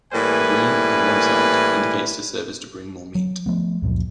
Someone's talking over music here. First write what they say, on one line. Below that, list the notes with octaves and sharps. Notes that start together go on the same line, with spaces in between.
Green, on one side, indicates to servers to bring more meat.
A2 E3 G3 A#3 B4 G#5
F#3
F3 A3 B3
C#2 F#2 A#2 F3